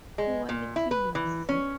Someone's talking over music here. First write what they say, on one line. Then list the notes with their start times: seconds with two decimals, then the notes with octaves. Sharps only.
Poor little Lizzy!
0.18 G#3
0.49 A#2
0.76 E4
0.91 B4
1.15 E3
1.49 C#4